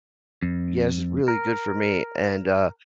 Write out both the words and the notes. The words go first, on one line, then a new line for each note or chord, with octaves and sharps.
Yes. It's really good for me, and, uh,
F2
A#4